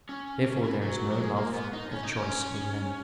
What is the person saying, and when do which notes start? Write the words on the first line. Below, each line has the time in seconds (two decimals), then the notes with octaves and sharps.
Therefore there is no love of choice in them.
0.09 C#4
0.46 C#4
0.64 E3
0.82 F#3
1.11 F#3
1.18 G#3
1.36 A#3
1.54 B3
1.73 D#4
1.91 C#4
2.03 D#4
2.15 C#4